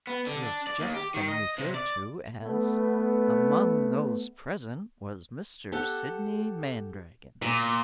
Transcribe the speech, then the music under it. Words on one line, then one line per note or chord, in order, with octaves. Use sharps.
He has just been referred to as "Among those present was Mr. Sidney Mandragon."
B3
D3
D4
D5
D#2
G4
D#3
D#5
C3
D5
A3 B3
G4 A4 F#5
A#2 D5